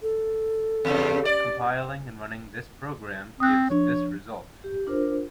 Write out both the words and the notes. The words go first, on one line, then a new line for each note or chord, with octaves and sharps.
Compiling and running this program gives this result.
A4
E2 G2 C#3
D5
C4 D#6 F#6
F3 D4 C#5
G4
D4 F4 A#4 C5